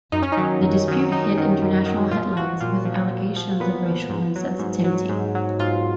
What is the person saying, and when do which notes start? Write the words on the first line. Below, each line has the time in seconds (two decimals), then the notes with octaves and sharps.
The dispute hit international headlines with allegations of racial insensitivity.
0.12 F#2 D#4
0.22 C#4
0.32 D#4
0.37 D#3 F#3
0.62 F#2
0.88 D#3 F#3
1.12 F#2 D#4
1.37 D#3 F#3
1.62 F#2
1.86 D#3 F#3
2.11 A#2 F4
2.36 F3 F#4
2.61 A#2 F4
2.85 F3
3.11 A#2
3.36 F3
3.60 A#2 B3
3.85 F3
4.10 G#2
4.36 F#3
4.59 G#2
4.84 F#3
5.09 G#2
5.35 F#3
5.59 G#2 F4